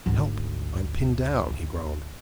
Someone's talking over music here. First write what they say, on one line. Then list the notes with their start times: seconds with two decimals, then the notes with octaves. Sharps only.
"Help, I'm pinned down," he groaned.
0.06 G#1 D2